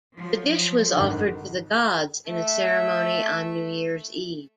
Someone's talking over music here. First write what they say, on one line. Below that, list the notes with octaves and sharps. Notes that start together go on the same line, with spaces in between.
The dish was offered to the gods in a ceremony on New Year's Eve.
F3 F#3
G#1 D3 D#3
A3 E5